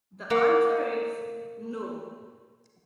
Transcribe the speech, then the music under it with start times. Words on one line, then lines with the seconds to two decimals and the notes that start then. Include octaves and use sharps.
The answer is no.
0.30 A#3 F#5